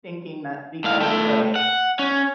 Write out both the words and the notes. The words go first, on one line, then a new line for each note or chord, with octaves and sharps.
thinking that the other day.
A2 F5
A3 G5
F#5
C#4